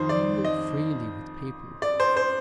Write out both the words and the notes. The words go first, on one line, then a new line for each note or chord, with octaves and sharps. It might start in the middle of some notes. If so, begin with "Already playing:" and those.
Mingle freely with people.
Already playing: F2 D#3 C5
D5
D#5
D5
C5
C5